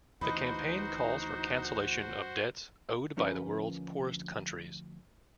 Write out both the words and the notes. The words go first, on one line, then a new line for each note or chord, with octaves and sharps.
The campaign calls for cancellation of debts owed by the world's poorest countries.
D2 E3 D#4 F#4 B4 C5 D#5
D2 F3 C#4 A#4 B4 G#5